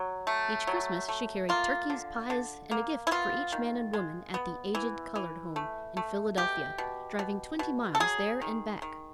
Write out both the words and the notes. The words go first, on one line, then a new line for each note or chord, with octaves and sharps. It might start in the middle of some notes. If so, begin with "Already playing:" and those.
Each Christmas she carried turkeys, pies, and a gift for each man and woman at the "Aged Colored Home," in Philadelphia, driving twenty miles, there and back.
Already playing: F#3
A3
F#3
A3
A#3 F4
D3
D3
A#3
E4
B3 F4
D#3
G#3
B3
E3
E3
A3
A3
B2 G4
B2
B2
B2
A4
F#3 G#4
D#3
D#3